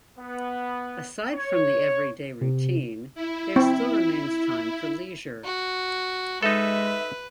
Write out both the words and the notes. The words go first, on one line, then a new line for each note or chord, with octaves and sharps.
Aside from the everyday routine, there still remains time for leisure.
B3
C#5
C3
E4
C4
F#4
G#3 D#4 A4 B4 E5